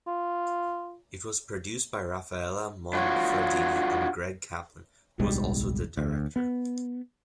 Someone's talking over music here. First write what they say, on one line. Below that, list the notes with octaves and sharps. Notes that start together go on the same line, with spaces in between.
It was produced by Rafaela Monfradini and Greg Kaplan, who was also the director.
F4
D4 F4 F#4 C5 C#5
D1 B1 G3 G#3
D2
B3